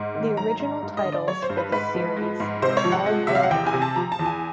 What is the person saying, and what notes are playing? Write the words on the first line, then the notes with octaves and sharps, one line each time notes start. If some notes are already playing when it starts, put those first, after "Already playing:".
The original titles for this series were All Growed Up!
Already playing: G#2
D#3
F#3 A#5
G#2
G2
D#5
D3
D5
F#3 C#5
C5
G2
B4
G#2 B4
F3
G#3
G#2
C3 C5
C#5
F3
F#5
G#3
C3 E5
F5
F#5
E2 G5
G#5
C3
A5
F3 A#5
A5
E2
G#5